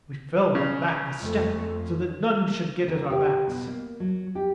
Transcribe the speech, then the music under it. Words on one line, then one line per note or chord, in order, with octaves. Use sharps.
We fell back a step so that none should get at our backs.
C#3
F2 A3
F2
A#4
G4
B2
A#3
F#3
G4